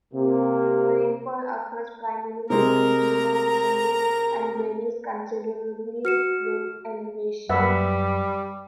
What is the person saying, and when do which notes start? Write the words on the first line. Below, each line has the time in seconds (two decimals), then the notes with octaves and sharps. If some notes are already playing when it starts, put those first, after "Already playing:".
Rainfall occurs primarily between June and December and varies considerably with elevation.
0.14 C3 A#3
2.50 C3 G#3 A#4 A#5
6.05 F#4 F6 C#7 E7
7.49 F#2 G3 B4 E5 F#5